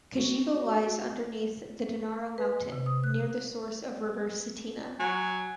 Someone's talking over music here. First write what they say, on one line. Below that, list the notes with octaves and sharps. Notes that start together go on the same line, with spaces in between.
Kijevo lies underneath the Dinara mountain, near the source of river Cetina.
F#4
B4
C3
D#6
F#6
F#3 G#5